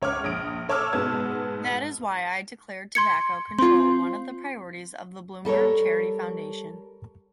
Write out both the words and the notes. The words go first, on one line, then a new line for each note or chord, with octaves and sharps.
That is why I declared tobacco control one of the priorities of the Bloomberg charity foundation.
C#2 C#5 D6 F6
A#1 D#6 D7
A4 C#5 A5 D6 E6 F6
G#2 B2 G#3 B3 A5 G#6
C6 G#6 C#7
C4 F4 C6
G3 A4 A#4 C#5